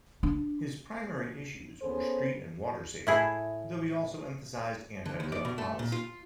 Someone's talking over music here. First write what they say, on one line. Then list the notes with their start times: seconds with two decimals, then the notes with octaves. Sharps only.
His primary issues were street and water safety, though he also emphasized anti-drug policies.
0.23 D4
1.82 B3 C#4 G#4 A4 C5
3.07 A2 E4 G#4
5.05 D3
5.20 D#2
5.32 D5
5.45 B2
5.58 A3
5.79 A#2
5.92 F4